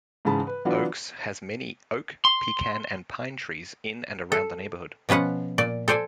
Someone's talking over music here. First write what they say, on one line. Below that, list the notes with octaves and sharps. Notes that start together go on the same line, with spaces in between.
Oaks has many oak, pecan, and pine trees in and around the neighborhood.
G#2 C#3 E3 G#4 A5 B5
B4
E3 F#3 B3 D4 F4 F#4
C6
A4
B2 F3 C#4 B4 F#5
A#2 D5
A4 C5 D5 G#5